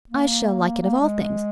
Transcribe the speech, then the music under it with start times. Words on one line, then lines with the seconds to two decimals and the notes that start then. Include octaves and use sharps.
I shall like it of all things.
0.10 A#3
0.82 A#3
1.01 G#3